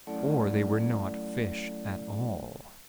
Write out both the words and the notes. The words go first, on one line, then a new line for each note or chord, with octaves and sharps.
Or they were not fish at all.
F#3 A3 C#4 E4 A4 D5